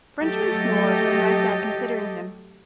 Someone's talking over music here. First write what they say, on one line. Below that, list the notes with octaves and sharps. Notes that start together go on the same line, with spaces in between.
The Frenchman snored, and I sat considering him.
F#3 A3 G4 A4 D#5